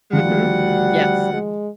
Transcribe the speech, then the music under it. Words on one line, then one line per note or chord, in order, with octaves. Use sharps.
Mhm, yes,
D2 D#3 F3 G3 F#5
G#3